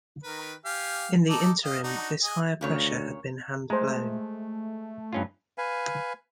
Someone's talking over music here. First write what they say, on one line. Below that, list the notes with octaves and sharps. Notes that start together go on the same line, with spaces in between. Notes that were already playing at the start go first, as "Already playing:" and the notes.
In the interim this higher pressure had been hand blown!
D#3 A#4 B4
G4 F5 G#5
D#4 A4 D6
G4 D#5 F5
D4 D#4 F#4
G#4 D#5
D2 A#2 C#3 C#5
G#3 A3 C5 A#5
G2 C#4 F4
B4 F5 G#5